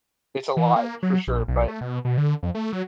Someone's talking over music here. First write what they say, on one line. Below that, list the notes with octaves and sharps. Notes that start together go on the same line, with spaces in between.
it's a lot, for sure, but
E3
A#3
F#3
A#1
B1
A3
B2
B2
D3
F2
A3
F#3